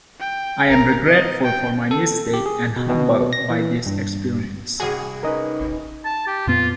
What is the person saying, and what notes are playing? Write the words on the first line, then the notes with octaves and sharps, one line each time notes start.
I am regretful for my mistake and humbled by this experience.
G5
A#4 A#5
D#5
G5
A4
G4
G#4
B2
B2
A#6
E3
G2
C2 F#4 G#4
C#4 D#4 A#4 B4 D#5
A5
G4
F2 A#2 B3 F4